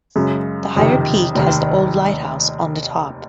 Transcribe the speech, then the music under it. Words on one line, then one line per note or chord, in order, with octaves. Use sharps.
The higher peak has the old lighthouse on the top.
F#2 C#3 G#3
F#1 F2 C3 D#3
F1 D#2 D#3